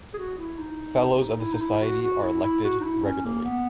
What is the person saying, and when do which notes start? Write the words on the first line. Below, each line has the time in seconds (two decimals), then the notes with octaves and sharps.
Fellows of the Society are elected regularly.
0.14 G#4
0.18 F#4
0.38 E4
0.59 D#4
1.00 D#4
1.40 E4
1.53 D#4
1.61 E4
1.82 F#4
2.02 F#4
2.22 E4
2.43 E4
2.64 F#4
2.80 D#4
2.84 E4
3.04 C#4
3.25 A#3
3.45 B3